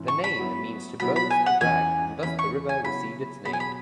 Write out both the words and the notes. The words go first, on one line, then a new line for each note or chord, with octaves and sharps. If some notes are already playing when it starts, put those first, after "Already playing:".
The name means to boast or brag, and thus the river received its name.
Already playing: G#2 E3 C#4 E4
C#6
B5
F#3 B3 E4
B2 F#3 B3 E4 B5
B5
G#5
F#5
E2 E3 C#4 G#5
E2 E3 C#4 E4 B5
C#6
G#5
C#3 F#3 B3 E4 B5
B2 F#3 B3 G#4 B5
G#5
B5